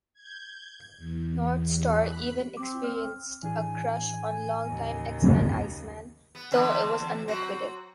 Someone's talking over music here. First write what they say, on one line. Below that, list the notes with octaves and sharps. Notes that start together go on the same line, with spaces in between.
Northstar even experienced a crush on long-time X-Man Iceman, though it was unrequited.
G6 G#6
E2
B5 F#6
C4 D6
F6
A2 E3 D4 G#4 G#5
D#2 C#3
B3
E2 D3 C4
F#3 C4 F#4